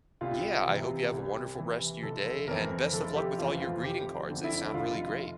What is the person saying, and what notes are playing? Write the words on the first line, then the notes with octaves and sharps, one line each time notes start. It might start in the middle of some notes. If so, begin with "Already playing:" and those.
Yeah, I hope you have a wonderful rest of your day, and best of luck with all your greeting cards, they sound really great.
C2 F4
C3 E3
C2
C3 E3
F1 A4
F2 E3 A#4
F1 A4
G4
F2 E3 F4
F4
F1 G4
F2 D3
E4
F1 F4